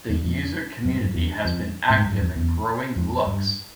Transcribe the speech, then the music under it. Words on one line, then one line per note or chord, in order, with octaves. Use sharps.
The user community has been active in growing "Lux".
E2
F2
F#2
G2
F#2
E2
F2
A2
G#2
G2
F#2
F2
E2
F2
G2